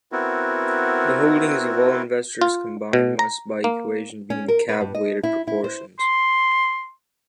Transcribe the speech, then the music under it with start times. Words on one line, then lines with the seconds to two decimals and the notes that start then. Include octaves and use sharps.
The holdings of all investors combined must, by equation, be in the cap-weighted proportions.
0.12 B3 C4 E4 F#4 A#4
2.41 F4
2.93 B2
3.19 A#5
3.64 A#3
4.30 C#4
4.48 A#4
4.69 B4
4.81 G2
4.95 D#5
5.23 E4
5.47 E4
5.64 C5
5.99 C6